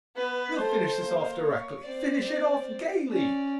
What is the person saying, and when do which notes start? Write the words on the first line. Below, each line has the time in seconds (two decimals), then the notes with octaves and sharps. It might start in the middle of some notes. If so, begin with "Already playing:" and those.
We'll finish this off directly, finish it off gayly.
0.16 B3 B4
0.58 A3 C5
1.00 A#3
1.42 C#5
1.85 C4 D5
3.11 C#4 D5